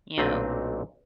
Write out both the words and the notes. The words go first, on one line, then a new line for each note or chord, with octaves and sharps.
you know?
B1 A#2 A3 C4 D4 D#5